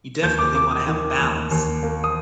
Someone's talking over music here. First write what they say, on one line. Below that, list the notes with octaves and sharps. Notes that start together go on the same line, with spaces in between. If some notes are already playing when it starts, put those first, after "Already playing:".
you definitely wanna have a balance.
D#2 G6
D6
A#3 D6
D#6
D#3
D#2
D#2
A#3
D#6